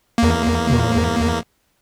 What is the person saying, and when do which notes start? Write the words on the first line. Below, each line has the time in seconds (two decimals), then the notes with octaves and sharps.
Oh, yeah.
0.18 E2 A#3